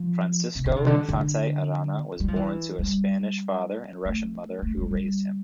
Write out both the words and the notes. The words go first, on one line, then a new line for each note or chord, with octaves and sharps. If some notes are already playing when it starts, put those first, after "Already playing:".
Francisco Infante-Arana was born to a Spanish father and Russian mother, who raised him.
Already playing: F3
C3
D3
C3
D3
D3
G3
F3
E3
G3
A3
A3
G3
G3